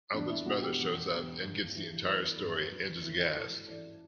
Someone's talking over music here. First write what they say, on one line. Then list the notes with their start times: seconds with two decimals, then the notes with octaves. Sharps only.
Albert's mother shows up and gets the entire story and is aghast.
0.14 E2 D4
0.30 E4
0.46 B2 F#4
0.62 G4
0.78 E2
1.11 E2
1.42 G2
1.75 E3
2.07 E3 B4
2.39 G2
2.72 F#2
3.04 E3
3.36 E3 A4
3.68 E3 D5